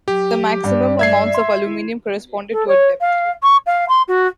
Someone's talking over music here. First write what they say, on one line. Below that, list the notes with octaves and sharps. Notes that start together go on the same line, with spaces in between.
The maximum amounts of aluminium correspond to a depth.
F#3 G4
G2 D5
E5 G#6 C7
C6
E4
A4
C#5
F5
C#6
F5
C6
F#4